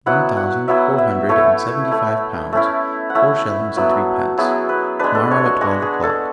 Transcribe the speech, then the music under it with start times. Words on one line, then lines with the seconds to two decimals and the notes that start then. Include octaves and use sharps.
One thousand, four hundred and seventy-five pounds, four shillings, and threepence, tomorrow at twelve o'clock.
0.06 F#3 B3 E4 F#5
0.37 F#5
0.68 F#3 B3 E4 E5
0.98 E5
1.29 A3 E4 C#5
1.91 A3 E4
2.53 A3 C#4 E4
3.10 F#5
3.15 A3 C#4 E4 E5
3.77 F#3 B3 E4
4.38 F#3 B3 E4 G#4
4.69 B4
4.99 G#3 D4 B4
5.15 A4
5.31 C#5
5.46 F#4
5.61 G#3 D4 F#4
5.82 G#4
6.03 A4